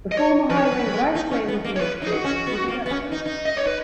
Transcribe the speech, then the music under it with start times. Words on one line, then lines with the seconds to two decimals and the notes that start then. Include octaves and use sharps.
The former highway right of way would be made available to development.
0.12 D#5
0.17 C#5
0.50 F3 B4
0.58 C#5
0.65 B4
0.72 F#3
0.86 F#3
0.93 G#3
1.15 D#4
1.31 C#4
1.48 B3
1.64 A#3
1.76 C#5
1.81 B3 B4
2.02 D#4
2.07 G#4
2.14 F#4
2.24 C#4
2.47 B3
2.68 A#3
2.86 B3
2.90 C#4
3.12 D#4
3.26 D#4
3.46 D#5
3.56 C#5
3.67 B4